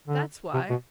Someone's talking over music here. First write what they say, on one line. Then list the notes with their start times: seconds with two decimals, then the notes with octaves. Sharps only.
That's why.
0.08 D3
0.54 C3
0.70 B2